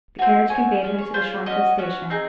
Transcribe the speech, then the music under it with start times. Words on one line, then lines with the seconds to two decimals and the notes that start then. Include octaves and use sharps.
The carriage conveyed him to the Shorncliffe station.
0.19 F#4 G#5
0.22 C4
0.50 C4 F#4 G#5
0.82 C#4 F4 G#4
0.99 C#5
1.14 C#4 F4 G#4 C5
1.46 C#4 F#4 D#5
1.78 C#4 F#4
2.10 C4 D#4 G#4